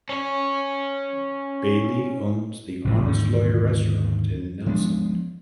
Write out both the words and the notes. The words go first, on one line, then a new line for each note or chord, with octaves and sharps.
Baillie owns The Honest Lawyer restaurant in Nelson.
C#4 C#5
A1 A2 C3 F3
D#2 G#2 D3
F3 G#3 B3 D4